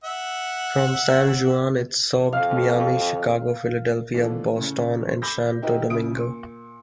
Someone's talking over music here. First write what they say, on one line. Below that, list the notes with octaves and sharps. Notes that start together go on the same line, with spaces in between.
From San Juan its served Miami, Chicago, Philadelphia, Boston and Santo Domingo.
E5 F#5
F2 F5
B2 E3 F3 A3 D4 F4
A2 C#3
B5 D6 E6 G6 A#6
D#4 E4 F#4 G4 A#4 B4
E1 C#3 E4 E5 D#6 D7
A#2